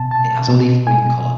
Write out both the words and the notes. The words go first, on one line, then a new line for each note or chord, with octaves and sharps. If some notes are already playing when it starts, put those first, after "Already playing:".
It has a leaf green color.
Already playing: B2 A5
A5
B2
G#5